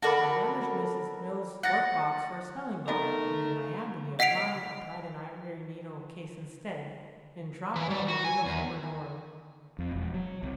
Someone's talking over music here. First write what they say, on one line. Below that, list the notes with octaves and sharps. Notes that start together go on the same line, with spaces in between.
I ravaged Miss Mills's work-box for a smelling-bottle, and in my agony of mind applied an ivory needle-case instead, and dropped all the needles over Dora.
F#4 A4 A#4 D5 B5
F#5 A6 A#6 C#7
A3 B3 D#4 A#4 D#5
D#5 F#5 B6 C7 D7 F7
E3
G3
F#4
G#5
E2
F2
E1
F#3
C2